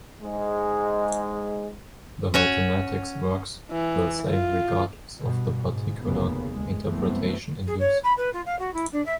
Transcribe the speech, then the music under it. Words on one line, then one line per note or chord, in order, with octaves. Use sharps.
The mathematics works the same regardless of the particular interpretation in use.
G#2 G#3
C#4 F#4 C#5
E3
F4
G2 B2
G#2
F1 D#2 C#3 A#3 B3
D2 G#3
C2 F#2 E3 A3 B3 C4
G#4
C#5
B5
B4
F4
F5
F#4
E4
D4
E5